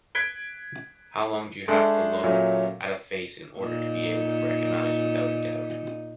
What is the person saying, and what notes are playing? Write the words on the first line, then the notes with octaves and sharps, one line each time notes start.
How long do you have to look at a face in order to be able to recognize without a doubt.
F#6 G#6 B6 D7 G7
G#3 A3 D4 A4
A#2 F#3 A3 C#4
A#2 D#4